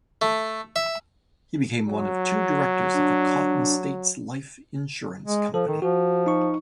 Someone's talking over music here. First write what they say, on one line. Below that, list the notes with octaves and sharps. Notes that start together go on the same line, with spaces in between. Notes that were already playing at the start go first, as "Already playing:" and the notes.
He became one of two directors of the Cotton States Life Insurance Company.
A3
E5
F#3
D4
G#3
F3 A4
D#3
F3 F#4
D#4 C#6